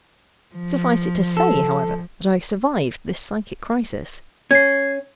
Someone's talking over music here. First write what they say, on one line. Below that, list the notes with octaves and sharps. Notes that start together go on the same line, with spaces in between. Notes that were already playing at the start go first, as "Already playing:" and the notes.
Suffice it to say, however, that I survived this psychic crisis.
F3
A4
C#4 G#6 C7